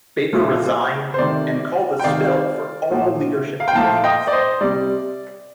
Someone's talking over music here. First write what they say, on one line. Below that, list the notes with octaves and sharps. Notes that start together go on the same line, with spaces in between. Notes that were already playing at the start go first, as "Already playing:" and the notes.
Baker resigned and called a spill for all leadership positions.
A#2 F3 A3
C5
C3 D#3 A3 D5
G5
C3 D#3 A3 D5 F5
A#2 F3 A3
F5
G5
A#2 F3 A3 F5 A5
D#5 G5
D5
C5 D#5
C3 G3 D5